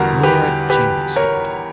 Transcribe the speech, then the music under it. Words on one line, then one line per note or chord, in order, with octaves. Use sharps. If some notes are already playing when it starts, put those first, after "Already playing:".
'You're a genius, my dear.'
Already playing: E2 D3 G3 F#4 A#4
G4 B4
G4 B4
A#4 C#5